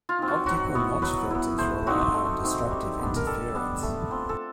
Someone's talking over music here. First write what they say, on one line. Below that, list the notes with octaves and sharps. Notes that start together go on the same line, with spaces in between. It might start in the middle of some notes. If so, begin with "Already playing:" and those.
Optical notch filters rely on destructive interference.
F4
C4 D#4
F#4
F#3 F#4
B3 E4
F#3 B4
B3 E4
A3 C5
C4 D#4 F#4
A3
C4 D#4
G3
B3 D4
A#4
G3 A4
B3 D4
A3
C4 F4
A4